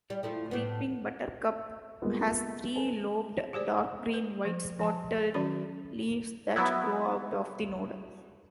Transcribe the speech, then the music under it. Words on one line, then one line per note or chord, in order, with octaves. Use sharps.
Creeping buttercup has three-lobed dark green, white-spotted leaves that grow out of the node.
G3
F3 A3 E4
A2 G3 B3
G3 G#3 A#3 B3 F4
A4 B4 G#5
G4 G#4 C5 D5
B4
F3
F3 G#5 A5
D#3 F#3 C#4 F#4 D5 B5
F#3 B3 E4